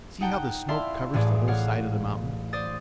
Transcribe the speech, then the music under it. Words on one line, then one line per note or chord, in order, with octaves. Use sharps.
See how the smoke covers the whole side of the mountain.
D#4 F#5 G5 A5
E4 D5 E5 F5 A5 C6
A1 A2 G#4 D5 D7
C#5 D5 F5 F#5
C5 D5 D#6 A6